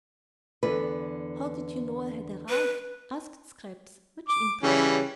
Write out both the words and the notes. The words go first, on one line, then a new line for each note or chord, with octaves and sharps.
"How did you know I had arrived?" asked Scraps, much interested.
E2 D3 B4
B4
D6
C#3 E3 G3 C#4